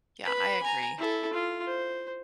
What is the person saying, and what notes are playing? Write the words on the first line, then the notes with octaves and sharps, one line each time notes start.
Yeah, I agree.
B4 B5
G#5 A#5
E4 A4
F4
C5